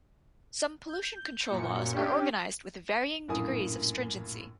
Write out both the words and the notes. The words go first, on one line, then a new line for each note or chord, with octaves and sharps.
Some pollution control laws are organized with varying degrees of stringency.
G6
F#2 A#2 C#7
C#4 D4 G4 G5
A#1 F#2 A2 A#3 G#5 D#6